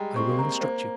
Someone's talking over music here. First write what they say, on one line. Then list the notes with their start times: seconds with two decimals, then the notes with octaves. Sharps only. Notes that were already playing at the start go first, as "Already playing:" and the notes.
I will instruct you.
Already playing: G3 G#3 G5 A#5
0.16 C4 C#6
0.29 A#3
0.39 C4 A#5
0.61 A#3 C5